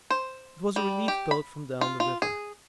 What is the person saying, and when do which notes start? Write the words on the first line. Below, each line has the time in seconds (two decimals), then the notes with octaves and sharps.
It was a relief-boat from down the river.
0.10 C5
0.76 G3
1.08 G4
1.31 B5
1.81 F4
2.00 F4
2.22 G#4